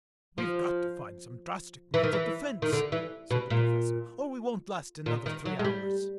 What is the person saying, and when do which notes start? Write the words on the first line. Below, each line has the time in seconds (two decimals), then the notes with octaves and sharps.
"We've got to find some drastic means of defence," said the Professor, "or we won't last another three hours."
0.38 F3
1.94 E3
2.04 D#3
2.13 E3
2.62 D#3
2.73 D3
2.92 E3
3.31 B2
3.50 A#2
5.06 A#2
5.26 D#3
5.45 F#3
5.59 G#3
5.65 G3